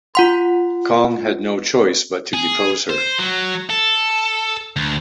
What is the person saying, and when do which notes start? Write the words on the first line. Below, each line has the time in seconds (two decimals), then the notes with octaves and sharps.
Cong had no choice but to depose her.
0.15 F4 F#5 C6
2.33 G#4
2.89 C5
3.19 F#3
3.70 A4
4.76 D2